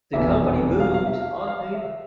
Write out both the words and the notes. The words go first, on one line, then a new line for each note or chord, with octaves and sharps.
The Company boomed on paper.
F1 E2 B2 E5
F5
F5
E5
F5
F5
E5